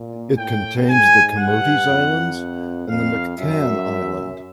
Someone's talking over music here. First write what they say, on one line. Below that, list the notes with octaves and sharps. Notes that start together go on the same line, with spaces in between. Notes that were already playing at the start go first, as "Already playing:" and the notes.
It contains the Camotes Islands and Mactan Island.
Already playing: A#2
A2 G5
G#2 G#5
G2 F#5
F2
F2 F5
F#2 E5